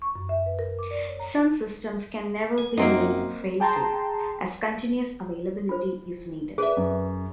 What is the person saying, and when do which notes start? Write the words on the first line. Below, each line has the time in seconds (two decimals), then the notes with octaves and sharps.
Some systems can never be made fail safe, as continuous availability is needed.
0.02 C#6
0.16 F#2
0.29 E5
0.46 B4
0.59 A#4
0.79 D6
0.91 D5
1.08 C#5
1.20 A#5
2.58 G#5
2.78 F#2 A#3 C4 D#4
3.60 G#4 G5 A5 A#5 C6
5.69 F4 C5
6.58 G#4 B4 E5
6.77 F#2